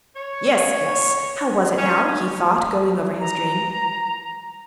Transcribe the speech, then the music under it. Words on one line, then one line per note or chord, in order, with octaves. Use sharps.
"Yes, yes, how was it now?" he thought, going over his dream.
C#5
C#4
A#5